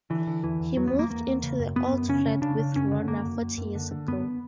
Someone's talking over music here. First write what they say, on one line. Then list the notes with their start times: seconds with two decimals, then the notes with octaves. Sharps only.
He moved into the old flat with Rhona forty years ago.
0.10 D3 E3
0.27 D3
0.43 E2 E3
0.60 E2
0.77 E2 F#3
0.88 B3
0.93 E2
0.99 A#3
1.10 E2 A#3
1.27 E2
1.43 C#3
1.59 F#2
1.76 F#2 B3
1.92 F#2
2.09 C#3 C#4
2.26 C#3
2.42 C#3 D4
2.59 C#3
2.76 F#2 C#4
2.92 D3
3.08 F#2 A#3
3.26 F#2
3.42 F#2
3.58 F#2
3.75 D3
3.91 D3
4.08 F#2 B3